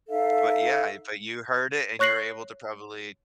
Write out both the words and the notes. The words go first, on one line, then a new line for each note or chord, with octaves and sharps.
But yeah, but you heard it, and you were able to probably
D#4 A4 E5 F5
C#5 C#6 F#6 A#6 C7 F#7